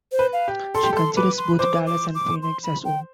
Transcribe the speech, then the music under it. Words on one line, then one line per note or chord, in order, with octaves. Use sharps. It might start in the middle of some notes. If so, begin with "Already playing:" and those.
She considers both Dallas and Phoenix as "Home".
C5
B4
F5
G4
A4 C6
G4
A4 C6
B4 D6
C6
C5 D6
D6
D6
C6
B5
G5